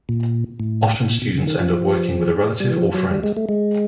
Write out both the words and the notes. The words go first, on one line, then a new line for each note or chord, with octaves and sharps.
Often students end up working with a relative or friend.
A#2
A2
A#2
B2
C#3
D#3
F3
G3
E3
F3
F#3
G3
G#3
A3
G#3